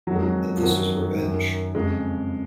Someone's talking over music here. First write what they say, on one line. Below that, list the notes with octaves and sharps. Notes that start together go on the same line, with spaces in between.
And this was revenge.
F2 D#3 F#3 G#3
F#3
F3
F#2 D#3 F#3
F#2 D#3
F2 C#3 G#3